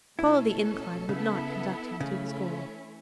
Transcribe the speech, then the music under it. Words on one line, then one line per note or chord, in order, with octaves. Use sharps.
To follow the incline would not conduct him to his goal.
B2 A3 C#4 E4 A4
C#3 B3 E4 A4 E5
C#3 E3 A3 C#4 E4